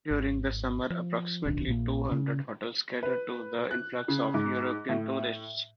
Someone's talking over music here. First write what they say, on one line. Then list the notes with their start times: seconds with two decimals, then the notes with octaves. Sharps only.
During the summer approximately two hundred hotels cater to the influx of European tourists.
0.11 G#1
0.90 F3
1.45 D1 B1 D#3 D4
1.67 A#1 A#2 A#3
2.09 C#3 C#4
3.03 B4
3.71 F#6
4.08 C#3
4.34 G#2
4.89 A2